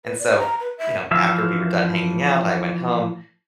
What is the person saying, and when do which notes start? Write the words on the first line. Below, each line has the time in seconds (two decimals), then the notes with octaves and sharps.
And so, you know, after we were done hanging out, I went home,
0.05 B4
0.19 D5
0.39 A#5
0.60 B4
0.78 E5
1.11 E3 F3 E5 F5 E6